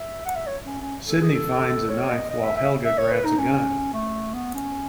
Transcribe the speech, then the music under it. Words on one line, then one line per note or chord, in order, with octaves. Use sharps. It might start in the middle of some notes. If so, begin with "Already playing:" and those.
Sidney finds a knife while Helga grabs a gun.
Already playing: E5
F#5
E5
C#5
C#4
C#4
A4
G#4
A4
C#5
D#5
D#5
E5
E5
E5
C#5
B4
D#4
C#4
A3
B3
C#4